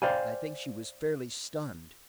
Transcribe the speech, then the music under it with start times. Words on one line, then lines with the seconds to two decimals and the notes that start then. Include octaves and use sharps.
I think she was fairly stunned.
0.02 C5 D5 F5 G5 G#5